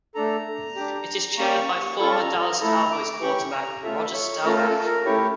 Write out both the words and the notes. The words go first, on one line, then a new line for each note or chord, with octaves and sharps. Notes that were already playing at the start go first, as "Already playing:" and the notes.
It is chaired by former Dallas Cowboys quarterback Roger Staubach.
A3 D4 A4 A#5
D4 G4
A#3 C#4 G4 C#6
C#4 F4 A4 C#6
A5
A#5
A#5
A3 E4 A4 A#5
D6
C#4 G4 C#6
A#5
A3 C#4 F4 A4 E5
C#5
A3 C#4 F4 A4 A#4
A#4
A4
A#4
A3 C#4 E4 G4 C#5